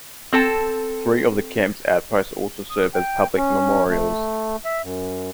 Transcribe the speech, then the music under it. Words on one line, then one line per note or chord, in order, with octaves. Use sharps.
Three of the camp's outposts also serve as public memorials.
C4 A4 A5
D#6
G5
C#4
A3
E5
F#2